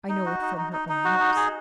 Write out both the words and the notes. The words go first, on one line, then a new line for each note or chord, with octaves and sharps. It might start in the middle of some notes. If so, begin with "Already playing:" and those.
I know it from her own lips.
D#4
F#4
D#4
D#4
D#4
D#4
F#4
D#4
G#4